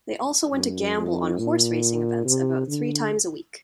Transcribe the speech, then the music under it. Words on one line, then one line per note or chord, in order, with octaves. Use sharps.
They also went to gamble on horse racing events about three times a week.
F#2
F2
A#2
C3
D3